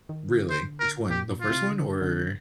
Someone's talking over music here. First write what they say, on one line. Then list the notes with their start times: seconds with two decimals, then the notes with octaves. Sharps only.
Really? Which one? The first one? Or
0.09 D#3
0.29 D3
0.50 C5
0.80 A#4
1.10 A#2 G4
1.24 A2
1.30 A#2
1.41 F4
1.50 C3
1.71 D3
2.01 D3